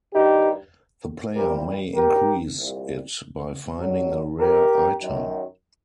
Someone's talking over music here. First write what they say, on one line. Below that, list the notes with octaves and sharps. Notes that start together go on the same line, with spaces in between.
The player may increase it by finding a rare item.
G2 D#3 G3 D#4 G4
C2 A#2 G3 G4 A#4
G4 A#4
C2 A#2 G3
D#2 D3 F#3
G4 A#4
F#2 D#3 F#3